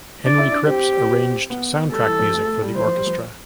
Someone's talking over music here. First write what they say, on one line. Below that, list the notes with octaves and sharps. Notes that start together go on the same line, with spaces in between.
Henry Krips arranged soundtrack music for the orchestra.
D4 D5
E4
D4
C4 G4
B3
G3 A4
E3
F3
A3
A3
G3
E3 C5
F3
G3
F3